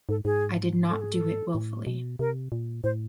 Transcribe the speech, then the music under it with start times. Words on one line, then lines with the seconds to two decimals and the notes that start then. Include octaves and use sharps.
I did not do it wilfully.
0.09 G#2 A4
0.25 G#2 G#4
0.89 A4
1.01 G#4
1.13 A4
1.55 A2
1.87 B2
2.19 C3 A#4
2.52 A#2
2.84 A2 C5